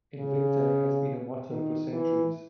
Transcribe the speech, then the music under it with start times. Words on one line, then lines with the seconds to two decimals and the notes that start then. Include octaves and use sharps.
"Invicta" has been a motto for centuries.
0.19 C#3
1.49 D#3
1.93 E3